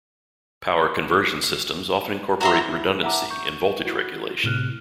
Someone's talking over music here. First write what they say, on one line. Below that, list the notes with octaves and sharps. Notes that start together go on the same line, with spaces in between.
Power conversion systems often incorporate redundancy and voltage regulation.
F#4 E5 A#5 C6
E4
E5 F#5 A5 A#5 D6
C#6 G6
E4 F#4
A2 C3 F6 F#6